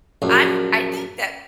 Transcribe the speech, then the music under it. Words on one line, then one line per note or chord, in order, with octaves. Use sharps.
I'm I think that,
A#1 F#2